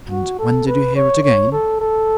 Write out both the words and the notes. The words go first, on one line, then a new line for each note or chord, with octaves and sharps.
"And when did you hear it again?"
F#4
A4
B4
C#5
C#5
A4
A4